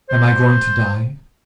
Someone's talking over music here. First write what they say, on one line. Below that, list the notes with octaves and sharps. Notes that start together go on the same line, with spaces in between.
Am I going to die?
C5